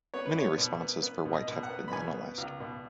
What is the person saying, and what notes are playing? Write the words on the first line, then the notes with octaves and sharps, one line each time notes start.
Many responses for White have been analysed.
B3 C#5
B4
B3 C#5
B2
B3
B3
B2
D#5
B2
F#5
B3
B5
B2 G#5
B3
C#2
B2